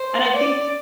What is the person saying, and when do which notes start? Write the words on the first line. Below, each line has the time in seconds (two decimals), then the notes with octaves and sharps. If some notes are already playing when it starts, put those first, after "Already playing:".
And I think
Already playing: C5
0.34 D5